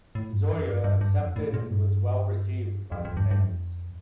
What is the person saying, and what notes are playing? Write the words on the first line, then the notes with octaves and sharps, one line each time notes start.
Zoya accepted and was well received by the fans.
A2
G2
F2
G2
G2
G2
F2
A2
A#2
G2
F2
F2
G2
G2
F2